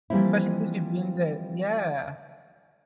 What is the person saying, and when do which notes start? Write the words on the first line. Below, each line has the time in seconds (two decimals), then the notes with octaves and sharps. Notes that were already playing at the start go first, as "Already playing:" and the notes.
especially since you've been the yeah.
0.10 E3 F3 G3 A#3 C4 E4